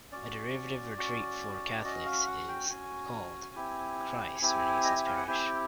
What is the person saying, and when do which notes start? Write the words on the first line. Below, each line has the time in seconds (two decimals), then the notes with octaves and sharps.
A derivative retreat for Catholics is called "Christ Renews His Parish".
0.12 C#4 F#4 D5
0.97 C#4 F#4
1.84 C#4 F#4 D#5
2.06 F5
2.26 F#5
2.48 G5
2.69 C#4 F#4 G#5
3.55 C4 E4 G4
4.41 C4 E4 G4
4.84 D#5
4.96 E5
5.06 F5
5.17 F#5
5.28 C4 E4 G4 G5